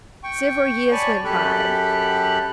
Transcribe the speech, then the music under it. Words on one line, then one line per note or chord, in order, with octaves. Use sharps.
Several years went by.
G5 C#6
C#5 D5 G#5 A5 B5 C#6
F#2 G4 A4 B5 F#6